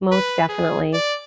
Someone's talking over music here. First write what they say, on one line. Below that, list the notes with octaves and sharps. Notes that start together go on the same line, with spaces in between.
Most definitely.
B4
G#4
D5